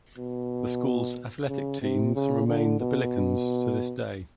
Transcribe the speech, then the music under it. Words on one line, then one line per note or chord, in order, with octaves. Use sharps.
The school's athletic teams remain the "Billikens" to this day.
B2
C#3
C3
C#3
D3
B2